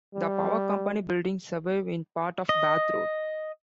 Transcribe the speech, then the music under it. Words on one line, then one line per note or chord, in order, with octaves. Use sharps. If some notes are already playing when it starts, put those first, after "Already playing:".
The Power Company buildings survive in part on Bath Road.
G3
D#5